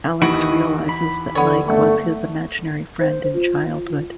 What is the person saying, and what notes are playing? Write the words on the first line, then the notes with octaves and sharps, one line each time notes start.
Alex realizes that Mike was his imaginary friend in childhood.
D#2 D#3 E3 F#4 D#5 B5 D7
B5
D3 B3 C#5
G1 A3 F#5 C#6
C5
F4